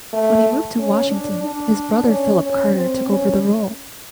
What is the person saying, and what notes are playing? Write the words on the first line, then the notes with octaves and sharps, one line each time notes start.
When he moved to Washington his brother Phillip Carter took over the role.
A3
C#4
D4
D4
C#4
C#4
C4
C#4